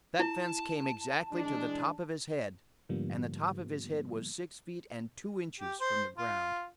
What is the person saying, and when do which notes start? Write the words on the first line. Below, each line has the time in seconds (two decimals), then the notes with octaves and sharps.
That fence came exactly to the top of his head, and the top of his head was six feet and two inches from the ground.
0.19 E4 A5
1.32 E3 G#3 D4
2.89 G#2 D3 F3 G3 A#3 B3
5.60 G4
5.81 C5
6.18 F4